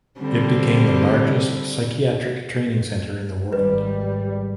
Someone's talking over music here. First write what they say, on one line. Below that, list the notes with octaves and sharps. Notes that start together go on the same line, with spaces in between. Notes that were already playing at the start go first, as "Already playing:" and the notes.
It became the largest psychiatric training center in the world.
D3 G3 C4
G#1 G3 B4